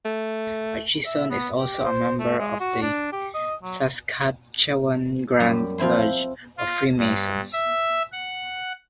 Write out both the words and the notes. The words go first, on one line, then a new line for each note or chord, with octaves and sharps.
Atchison is also a member of the Saskatchewan Grand Lodge of Freemasons.
A3
E5
B3
G4
C5
A3
G#3
F#4
D4
G4
D#5
F#3
F#2 G3 A#5
F3 C4 E4 C6
F4
G2
E5
F#5